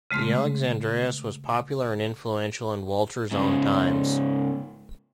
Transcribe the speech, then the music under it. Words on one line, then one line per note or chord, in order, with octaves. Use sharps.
The "Alexandreis" was popular and influential in Walter's own times.
C#3 G#3 A3 C6
G#2 C#3